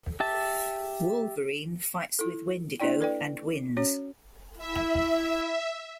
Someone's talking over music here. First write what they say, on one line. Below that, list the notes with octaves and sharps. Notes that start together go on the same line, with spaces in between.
Wolverine fights with Wendigo and wins.
G4 E5 A5
E4 A4
A#3 D4 E4 D5 G5
A4 B4 D5 G5
C#4 F#4 C#5
E4 E5